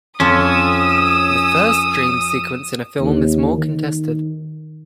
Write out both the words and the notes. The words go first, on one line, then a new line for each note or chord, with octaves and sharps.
The first dream sequence in a film is more contested.
F2 C#4 F4 A4 D#6 E6
D#2
D#3